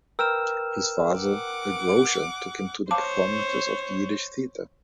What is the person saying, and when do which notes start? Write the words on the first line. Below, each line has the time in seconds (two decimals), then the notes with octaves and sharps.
His father, a grocer, took him to performances of the Yiddish theater.
0.19 A#4 B4 G5 E6 F6 E7
1.19 F#5 D6
2.91 C5 C#5 F5 A5 D6